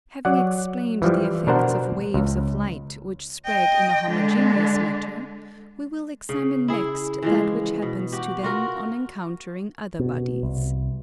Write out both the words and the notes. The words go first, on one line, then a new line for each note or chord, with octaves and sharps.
Having explained the effects of waves of light which spread in a homogeneous matter, we will examine next that which happens to them on encountering other bodies.
F#3 D5 F#5
E3 F3 G3
B2 D4 A#4 C5 F#5
C#2
D#5 G5
D3 G#3
C#3
E4 G#4
E3 F3 G#3
B2
F#4 G4
F4 F#4 A#4
B2
C2